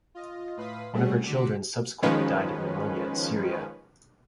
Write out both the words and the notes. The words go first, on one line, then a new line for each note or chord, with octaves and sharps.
One of her children subsequently died of pneumonia in Syria.
F4 D#5
A2 B4 F5 C6 D#6 B6
G3 A3 C4 C#4 G#4 F#5
D3 F#4 C6 D6 B6 C#7
D#3 F3 G#3 C#4 B4